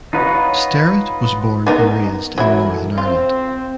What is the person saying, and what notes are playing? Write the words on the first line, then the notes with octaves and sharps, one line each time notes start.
Sterritt was born and raised in Northern Ireland.
D#4 F4 B4 C#5 F#5
B3 D#4 A#4
E3 F#3 E4 A4 A#4
C4 F4